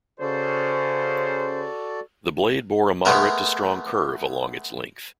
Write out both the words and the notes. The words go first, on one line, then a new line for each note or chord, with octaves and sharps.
The blade bore a moderate to strong curve along its length.
C#3 F#4 A4 C5 D5
G#3 A3 B3 A#4